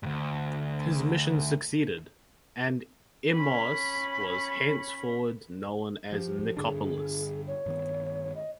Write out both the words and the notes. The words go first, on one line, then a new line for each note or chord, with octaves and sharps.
His mission succeeded, and Emmaus was henceforward known as Nicopolis.
D2 G2
C#4 B5
F3 G4
G2 D3 D4 G#4
C#5
G2 D#3 B3
D#5